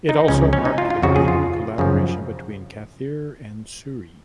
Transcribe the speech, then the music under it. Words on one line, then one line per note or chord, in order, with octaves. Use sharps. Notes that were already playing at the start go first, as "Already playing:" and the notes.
It also marked the maiden collaboration between Kathir and Soori.
D#4
C#2 C#3 F3 C#4
C#4
D#4
F4
F4
F2 C#3 F3 F#4
G#4
F4
F#2 C#3 F3